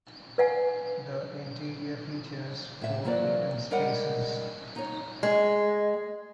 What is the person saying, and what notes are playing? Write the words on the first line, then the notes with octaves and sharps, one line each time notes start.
The interior features four event spaces.
B4 D5 F5 F#5 G#5
A2 C3 E5
E3 F#3 A#3 F4 C5 D5
G3 G#3 A#4 C#5 D#5 F#5
D#4 C#5
G#3